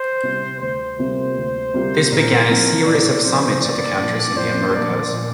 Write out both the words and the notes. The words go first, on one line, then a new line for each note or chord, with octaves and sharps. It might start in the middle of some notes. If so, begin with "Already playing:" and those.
This began a series of Summits of the countries in The Americas.
Already playing: C5
C3 G3 C4
D2 C5
C3 G3 A#3 F4
D2
C3 G3 A#3 F4
A#2 A#4
F3 C4 D#4 A4
A#2 D5
F3 C4 D#4 A4 C5
A#1 D5
A#2 F3 A#3 D4
A#1 C5
A#2 F3 A#3 D4 D5
A#2